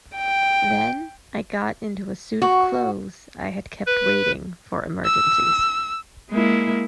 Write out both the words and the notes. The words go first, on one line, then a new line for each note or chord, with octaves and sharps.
Then I got into a suit of clothes I had kept waiting for emergencies.
G5
F#4
B4
E6
G#3 A#3 E4